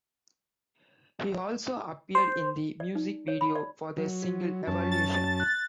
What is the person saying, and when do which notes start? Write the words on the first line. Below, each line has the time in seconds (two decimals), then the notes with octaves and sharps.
He also appeared in the music video for their single "Evolution".
2.15 C5
2.80 D5
2.95 D#4
3.28 C#5
3.41 B5
3.55 D5
3.98 F#3
4.23 F#4
4.67 F#2 C#4 A5
4.91 A6
5.40 F#6